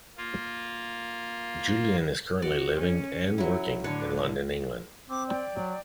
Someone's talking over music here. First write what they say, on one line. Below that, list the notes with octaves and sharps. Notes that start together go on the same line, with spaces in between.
Julien is currently living and working in London, England.
A#3 F4
F#4 D5
C#4
F#3 E4
A2 D3 D4 B4 C#5
C4 D6
D5 G5
F#3